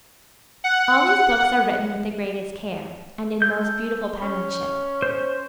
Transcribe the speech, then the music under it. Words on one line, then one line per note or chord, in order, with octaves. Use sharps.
All these books are written with the greatest care, and in most beautiful penmanship.
F#5
A3 G6
C#4
C5